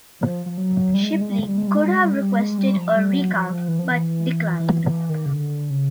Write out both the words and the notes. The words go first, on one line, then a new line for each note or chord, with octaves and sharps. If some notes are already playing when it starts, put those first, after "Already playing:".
Shipley could have requested a recount, but declined.
F3
F3
F#3
G3
G#3
G3
G#3
G3
G#3
G3
G#3
G3
G#3
G3
G#3
G3
G#3
G3
G#3
G3
F3
G3
F#3
F3
F3
E3
F3
E3
E3
E3
D#3
C#3
D3
C#3